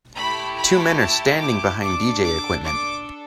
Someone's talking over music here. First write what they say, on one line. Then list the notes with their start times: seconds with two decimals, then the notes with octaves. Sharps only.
Two men are standing behind dj equipment.
0.16 A3 E4 G4 B5
0.57 B5
0.98 A5
1.40 D6
1.81 D4 A4 D6
2.23 D6
2.65 D6